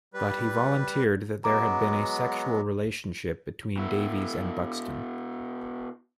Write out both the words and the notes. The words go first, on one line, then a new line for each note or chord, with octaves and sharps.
But he volunteered that there had been a sexual relationship between Davies and Buxton.
G3 B4
F#3 G#3 B3 A#5 D6
B2 E4